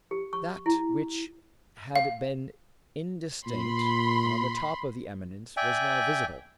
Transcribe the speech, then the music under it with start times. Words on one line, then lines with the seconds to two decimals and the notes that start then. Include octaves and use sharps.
That which had been indistinct on the top of the eminence was now visible.
0.11 G4
0.33 C#6
0.66 E4
1.96 F5
3.47 A#2 B5 C6
5.57 D5 E5 G5 G#5